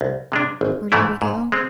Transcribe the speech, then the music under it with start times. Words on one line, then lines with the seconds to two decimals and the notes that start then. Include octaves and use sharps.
Where did we go?
0.01 C2
0.32 C3 G#3 D4
0.61 G#1
0.92 G#2 E3 A3 E4
1.22 G#2
1.52 G#3 C4